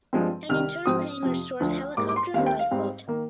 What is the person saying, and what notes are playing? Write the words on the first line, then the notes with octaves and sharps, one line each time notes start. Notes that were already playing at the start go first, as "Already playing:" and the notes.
An internal hangar stores helicopter and lifeboat.
G2 F3 G#3 C4
C2 C3 D#3 F6
G#2 F3 C4 D#6
F2 C3 F3
D2 D3 F3
G#2 G3 A#3 D6
D6
C6
D#2 D#3 G3 C4 F5
G5
F5
G#2 G3 C4
D#3 A#3